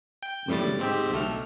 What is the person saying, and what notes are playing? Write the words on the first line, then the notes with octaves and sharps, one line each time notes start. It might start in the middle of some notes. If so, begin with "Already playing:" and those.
Mhm. Mhm.
G5
A2 G3 A6
G#2 C4 G4
B1 A3 F6